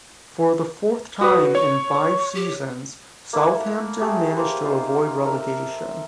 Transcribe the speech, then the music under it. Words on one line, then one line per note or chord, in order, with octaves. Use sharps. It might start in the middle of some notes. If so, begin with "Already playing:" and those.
For the fourth time in five seasons, Southampton managed to avoid relegation.
F#4 B4 D#6
C#5 C#6
G4
A#3 E4 A4 F#5
A3 G4 G#4
A#3 C5
D#4 F4 E5
A4 A#4 E5